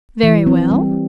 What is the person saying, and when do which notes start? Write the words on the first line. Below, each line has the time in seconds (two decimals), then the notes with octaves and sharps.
'Very well.
0.23 E3
0.47 C4
0.71 G3